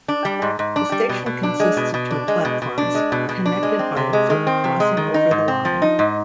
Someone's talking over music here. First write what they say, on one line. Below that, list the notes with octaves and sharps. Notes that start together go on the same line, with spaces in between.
The station consists of two platforms, connected by a foot crossing over the line.
D4
G3
G#2
G#2
D4
G3
B2
B2
D4
G#3
B2
B2
D4
G#3
B2
B2
D4
G#3
B2
B2
D4
G#3
C4
C3
G#3
D#3
C4
C3
G#3
D#3
D#4
G#2
C4
F3
D#4
G#2